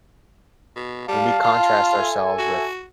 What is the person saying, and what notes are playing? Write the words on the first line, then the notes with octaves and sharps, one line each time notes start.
When we contrast ourselves with
B2
G3 F5 A5
F4
A4 E5 G#5
F#4